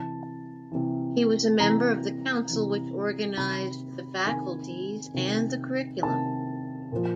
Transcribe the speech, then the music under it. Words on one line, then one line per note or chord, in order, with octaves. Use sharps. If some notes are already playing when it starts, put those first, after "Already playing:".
He was a member of the council which organized the faculties and the curriculum.
Already playing: C3 E3 A5
C3 E3
C3 E3 A#5
C3 E3
C3 D#3 B5
C3 D#3 G#5
C3 D#3
C3 D#3 A5
A#2 F3